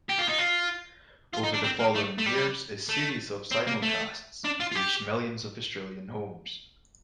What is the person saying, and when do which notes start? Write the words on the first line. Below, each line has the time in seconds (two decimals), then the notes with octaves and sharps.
Over the following years a series of simulcasts reached millions of Australian homes.
0.09 G4
0.18 F4
0.28 D#4
0.38 F4
1.34 F4
1.44 D#4
1.54 D4
1.64 C4
1.80 A#3
1.95 A3
2.19 A3
2.26 G3
2.89 A3
3.51 C4
3.67 A#3
3.82 A3
4.44 D4
4.60 F4
4.71 F4
4.75 G4